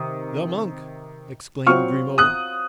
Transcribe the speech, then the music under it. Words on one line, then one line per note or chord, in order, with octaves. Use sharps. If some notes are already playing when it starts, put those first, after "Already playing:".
"The monk!" exclaimed Grimaud.
Already playing: C3 D#3 D#6
F#3 C4 F4 C#6 F6
D#6 F#6